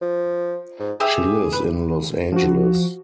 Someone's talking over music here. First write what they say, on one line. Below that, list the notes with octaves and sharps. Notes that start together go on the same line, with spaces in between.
She lives in Los Angeles.
F3
G#2
G4 G#4 E5 E6
B4
F3 F#4